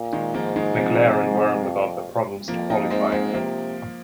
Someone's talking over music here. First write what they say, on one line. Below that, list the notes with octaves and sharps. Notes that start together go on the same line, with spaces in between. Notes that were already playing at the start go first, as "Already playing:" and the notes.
McLaren weren't without their problems in qualifying though.
Already playing: A#2
D#3 G#3
G#2 F3 A#3
D#3 G#3
C3 F3
F2
F2 F3 A#3
A#3 D#4
G#2 G#3 C4
G#3 C4
C3 F3 A#3